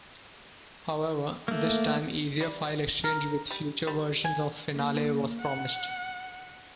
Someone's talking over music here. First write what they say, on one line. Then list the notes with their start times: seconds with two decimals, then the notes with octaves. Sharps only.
However, this time easier file exchange with future versions of Finale was promised.
1.48 A3 A#3
2.41 G3
3.04 A#4
3.50 G3
3.87 G3
4.24 G#5
4.73 A#3
5.41 F#5